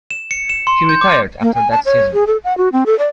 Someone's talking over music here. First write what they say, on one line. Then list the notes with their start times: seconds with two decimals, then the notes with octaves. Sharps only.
He retired after that season.
0.11 E7
0.31 C#7
0.49 E7
0.67 C6
0.89 G6
1.01 D6
1.42 A#3
1.54 G#5
1.71 A5
1.85 C#5
2.13 G#4
2.27 A4
2.44 F#5
2.58 F#4
2.72 C4
2.86 A4
2.99 D5